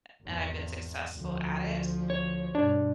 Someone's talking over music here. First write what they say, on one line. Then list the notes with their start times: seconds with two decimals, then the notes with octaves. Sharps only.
a and I've been successful at it,
0.22 G#1 E2
1.13 D2 F3
2.10 C#5
2.55 G2 B2 D4